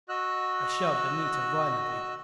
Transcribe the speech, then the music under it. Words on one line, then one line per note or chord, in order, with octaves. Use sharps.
I shoved Anita violently.
F#4 D#5 E6 F#6